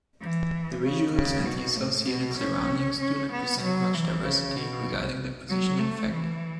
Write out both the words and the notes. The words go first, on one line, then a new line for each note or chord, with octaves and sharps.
The visuals and the associated surroundings do not present much diversity regarding the positioning factor.
E3
C#3
C#3
B2
A2
B2
C#4
C#4
B3
F#3
E3
C#3
B2
F#3
A3
E3